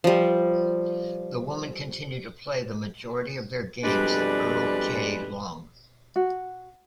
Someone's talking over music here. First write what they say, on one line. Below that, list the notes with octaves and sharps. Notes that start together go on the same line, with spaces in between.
The women continue to play the majority of their games at Earl K. Long.
F3 G3
F2 B2 G3 G#3 D4 B4
F#4